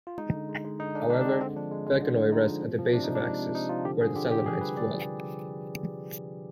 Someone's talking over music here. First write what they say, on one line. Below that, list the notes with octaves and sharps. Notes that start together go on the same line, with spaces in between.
However, Vecanoi rests at the base of Axis, where the Selenites dwell.
F4
G#3 D#4
D3
G#3
G#3
D3 D#4
D3 D4
D3 D4
D4
G#3 C4
D3 C4
F3 D4
G#3
G#3
D3
D3
G#3 D#4
F3
C3
F3
C3 D4
F3 D#4
D4
G#3
C3
C3 D#4
F3 F4
D3 G4
D3 G#4
D3 G4
D3 G4
D3 G#4
G3 B4
D3 D5